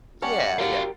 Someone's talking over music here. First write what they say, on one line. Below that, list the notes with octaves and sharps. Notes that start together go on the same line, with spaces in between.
Yeah, yeah.
G3 C#4 F#5 A5
F#4 G4 A#4 F5